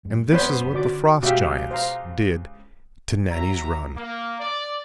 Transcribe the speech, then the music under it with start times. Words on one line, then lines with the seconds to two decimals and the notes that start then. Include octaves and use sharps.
And this is what the Frost Giants did to Nannie's Run.
0.05 F#2 G#3
0.32 B3 C#4 C5
0.74 D3 F#4 D5 D6
1.23 C#2 B2 F#4 G4 E5 F5
1.71 C5 F5 A#5
3.29 F#3 E5 A#5
3.95 A#3
4.40 D5